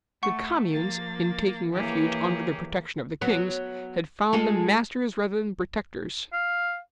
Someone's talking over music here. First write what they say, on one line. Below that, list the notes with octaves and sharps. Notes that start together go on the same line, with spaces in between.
The communes, in taking refuge under the protection of the kings, had found them masters rather than protectors.
A3 F#5 C#6
F3 A#3 A6
E3 A#3 G4 G#4 C#5
F#3 B3
G#3 F4 A4
F5